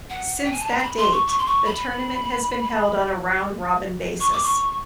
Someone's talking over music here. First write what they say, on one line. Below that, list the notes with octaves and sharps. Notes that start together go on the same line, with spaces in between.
Since that date, the tournament has been held on a round-robin basis.
F#5
G5
G#5
A5
A#5
A#5
B5
C6
C#6
C#6
C6
C#6
B5
C#6
D6
C#6